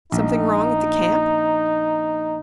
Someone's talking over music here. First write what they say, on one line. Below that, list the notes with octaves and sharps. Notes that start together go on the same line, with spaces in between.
"Something wrong at the camp?"
A#1 D#4